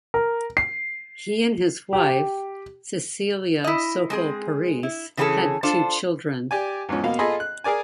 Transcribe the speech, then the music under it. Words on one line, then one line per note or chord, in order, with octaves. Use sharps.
He and his wife Cecelia Sokol Parise had two children.
A#4
C7
G4
E4 D#5
G#3 C4 G#4
E4
C#3 E3 B3 C#4 G#4 A4
D4 F4 A4 C5
G4 D5 G#5
E2 G#2 F3 C#4
B2 A#3 F5
F4 G#4 A4 D#5 B5 C6
F#6
G#4 A#4 D5 G#5